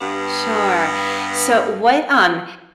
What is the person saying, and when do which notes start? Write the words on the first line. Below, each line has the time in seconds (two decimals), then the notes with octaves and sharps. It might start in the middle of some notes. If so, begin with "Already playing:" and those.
Sure. So what um,
0.01 G2 B3